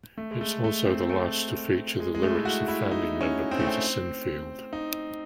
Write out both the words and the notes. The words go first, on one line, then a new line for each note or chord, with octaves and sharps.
It's also the last to feature the lyrics of founding member Peter Sinfield.
A3
G#3
A3
A3
C4
A3
G#3
G#3
A3
E4
F#4
E4
D#4
C#4
C4
A3
C4
D#4